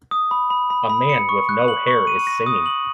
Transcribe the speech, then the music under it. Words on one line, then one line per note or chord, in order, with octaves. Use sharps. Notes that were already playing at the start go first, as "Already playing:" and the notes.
A man with no hair is singing.
D#6
B5
B5
B5
B5
C#7
C#6
F#6
F#7
C#6
D#7
A#6
D#6
F#7